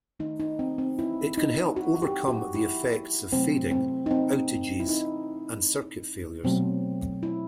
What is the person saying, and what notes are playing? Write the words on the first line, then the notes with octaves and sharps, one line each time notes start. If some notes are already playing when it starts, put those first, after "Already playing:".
It can help overcome the effects of fading, outages, and circuit failures.
D#3 A3 D#4
D#4
C4
C4
E4
D#4
F#4
G4
F#4
E4
C3 F#3 A3 C4
C4
D#4
C4
E4
D#4
B2 F#3 A3 C4
E4